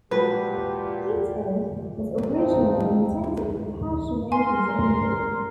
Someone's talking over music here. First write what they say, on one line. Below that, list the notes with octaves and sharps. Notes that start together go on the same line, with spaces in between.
Gift Aid was originally intended for cash donations only.
A#2 F3 G#3 F#4 G4 B4
F3 C4 D#4
A#4 G#5 C6